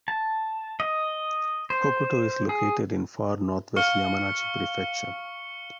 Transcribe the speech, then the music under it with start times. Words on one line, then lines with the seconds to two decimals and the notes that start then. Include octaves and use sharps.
Hokuto is located in far northwest Yamanashi Prefecture.
0.08 A5
0.80 D#5
1.70 C5
2.49 G#4
3.76 F5 C#6 C#7 G7